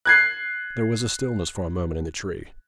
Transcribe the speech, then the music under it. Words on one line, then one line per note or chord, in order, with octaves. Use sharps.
There was stillness for a moment in the tree.
F#6 G#6 C7